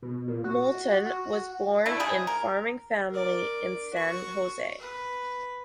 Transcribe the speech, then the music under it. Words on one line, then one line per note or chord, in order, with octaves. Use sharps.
Moulton was born in farming family in San Jose.
B2
A#2
F#4
F#4
A3 D4 E4
C3 G3 G#4
A#4
A#4 D5
F#4 C#6
B4